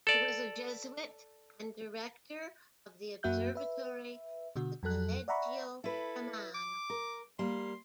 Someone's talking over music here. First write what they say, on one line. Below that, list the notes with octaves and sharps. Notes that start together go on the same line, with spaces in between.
He was a Jesuit and director of the observatory at the Collegio Romano.
A4 D5
F#2 A#3 F#4 E5 F#6 G6
B4 E5
B2 D3 F#4
F2 F#3 A4 F#6
D5 E5 F#5 A#5 B5 C#6
E4 A4 B4
D6
A#4
G3 A#3 C6